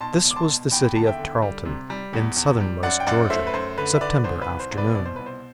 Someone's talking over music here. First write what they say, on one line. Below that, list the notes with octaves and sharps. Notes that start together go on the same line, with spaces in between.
This was the city of Tarleton in southernmost Georgia, September afternoon.
B2 A5 C6
E1
D6
A5 C6
B2
E2 G5 B5
B5
D3 A5
E5 G5
D3
G3
C3
G3
E2
E2
G3
F#2 D5 F#5
G5
F#2 D5 F#5
A3 C5 E5
B4
F#2 C5
D3 B4
E5
D3 B4 D5
C2 C5
B4
C2
C5
C2
B4 D5
B2 D5
C5
C2 B4
C5